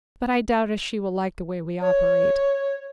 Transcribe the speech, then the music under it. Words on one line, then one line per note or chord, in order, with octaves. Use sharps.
But I doubt if she will like the way we operate.
C#5